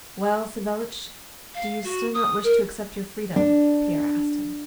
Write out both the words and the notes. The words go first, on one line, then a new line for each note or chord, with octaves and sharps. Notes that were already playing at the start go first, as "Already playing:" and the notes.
"Well, Savelich, do you still not wish to accept your freedom?" Pierre asked him.
F5
F#4
D#6
A#4
D4